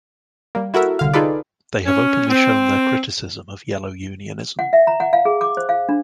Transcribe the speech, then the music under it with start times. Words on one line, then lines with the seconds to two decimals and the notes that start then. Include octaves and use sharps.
They have openly shown their criticism of yellow unionism.
0.55 G3 A#3
0.74 E4 F#4 A4 A#4 E5
0.99 C2 D3 F5
1.14 D#4 F4 G#4 A4 B4 D5
1.85 C#4
2.29 C4
4.59 F#5
4.73 E5
4.87 A#5
5.00 F#5
5.13 F5
5.25 G#4
5.41 D6
5.57 C5
5.69 F5
5.89 D4